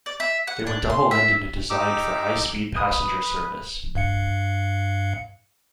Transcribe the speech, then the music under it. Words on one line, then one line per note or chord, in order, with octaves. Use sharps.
They were double-ended and designed for high-speed passenger service.
D5
E5
F#5
D4
C6
E5
D#4 G4 D6 E6
B4 D#6
G2 F5 C#7